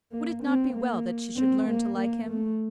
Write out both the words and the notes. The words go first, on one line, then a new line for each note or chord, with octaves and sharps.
Would it not be well that she should learn to like him?
A#3
C4
A#3
C4
A#3
A#3
A3